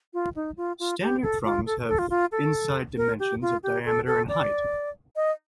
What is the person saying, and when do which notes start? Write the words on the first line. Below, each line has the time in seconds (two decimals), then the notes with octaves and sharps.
Standard drums have inside dimensions of diameter and height.
0.14 F4
0.36 D#4
0.57 F4
0.80 F4
1.01 G4
1.23 A4
1.45 F4
1.66 A4
1.88 A4
1.99 F4
2.10 F4
2.32 A4
2.97 A#4
3.19 G4
3.42 F4
3.63 G4
3.85 A4
4.07 A4
4.28 D5
5.16 D#5